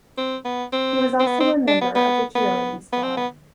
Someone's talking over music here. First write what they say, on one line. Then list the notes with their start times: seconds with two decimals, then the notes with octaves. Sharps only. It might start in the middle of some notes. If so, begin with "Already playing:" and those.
He was also a member of the cheerleading squad.
0.18 C4
0.45 B3
0.73 C4
1.20 C4
1.27 B3
1.41 C4
1.68 D4
1.82 B3
1.95 B3
2.35 B3
2.93 B3
3.03 C4
3.17 B3